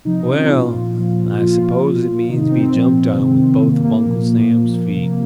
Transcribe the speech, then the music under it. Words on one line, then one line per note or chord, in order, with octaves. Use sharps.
"Well, I suppose it means be jumped on with both of Uncle Sam's feet."
C3 F3 D#4
C4
C#4
D#4
A#2 F3 F4
A#2 F3
A#2 F3 F4
A#2 F3
C3 D#3 D#4
C4
A#2 F3
C3 D#3
C4
C3 D#3 A#3
A#3
A#2 F3
A#2 F3
C3 F3 A#3